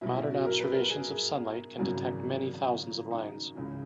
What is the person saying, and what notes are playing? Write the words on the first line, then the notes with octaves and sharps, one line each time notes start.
Modern observations of sunlight can detect many thousands of lines.
B1 B2 E4
E4
F#4
A#4
B4
A#4
G#4
G#1 F#2 C#3 E3 F#4
D#4
C#2 C#3 E3